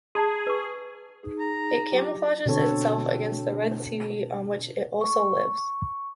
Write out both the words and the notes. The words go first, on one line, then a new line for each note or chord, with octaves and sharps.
It camouflages itself against the red seaweed on which it also lives.
G#4 A5 A#5 C6
B4 C#6
D#4 G#4
A#5
F#3 F4 G4 D6
B2 D3 C4 A4 C#5
C#6